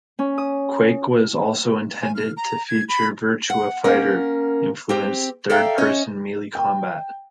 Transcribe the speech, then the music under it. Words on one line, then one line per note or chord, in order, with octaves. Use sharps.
"Quake" was also intended to feature "Virtua Fighter" influenced third-person melee combat.
C#4
D#6
G#5
F6
A#5
G#6
B5
F#5
A#3 C#4 A#4
C4 G4
A4 D5 E5 F5 G5 A#5
C#4 C#5 D#5
G5